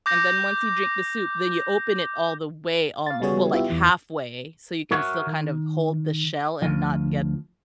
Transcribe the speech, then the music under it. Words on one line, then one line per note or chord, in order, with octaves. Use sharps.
and then once you drink the soup, then you open it all the way, um, well like halfway, so you can still kind of hold the shell and not get
D6 G6 A#6
F5 A6
C#3 G3 B3 F#4 G#4 C#5
B3 E4 F4 G4 E5
E2 E3
F#4 A#4 C#5 E5 F#5
D#3
D2 F3